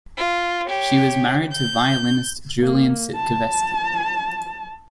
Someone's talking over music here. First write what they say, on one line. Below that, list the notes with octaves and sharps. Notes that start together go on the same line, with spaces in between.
She was married to violinist Julian Sitkovetsky.
F4
G4 C#5
G6
A#3
A5